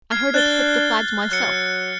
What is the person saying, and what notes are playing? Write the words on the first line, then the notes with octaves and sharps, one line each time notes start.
I heard it hit the flags myself.
F6 G#6 C7
D4 F#6 A6 G7
F#3 F#6 C#7